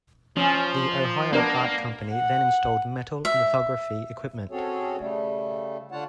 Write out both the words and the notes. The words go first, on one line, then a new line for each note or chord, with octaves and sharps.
The Ohio Art Company then installed metal lithography equipment.
F3 C#4
A#3 B3 D4 A#4
F#5
E5
C4 C#4 F#4 G#4 A4 C#5
C#3 G3 A3
D3 D4 F4 C#5 F#5 A5